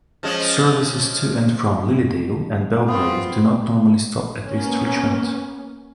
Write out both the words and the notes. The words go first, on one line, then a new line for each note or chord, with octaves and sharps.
Services to and from Lilydale and Belgrave do not normally stop at East Richmond.
F3 G#3 C#4
B3 C4 F4
A#3 B3 C#4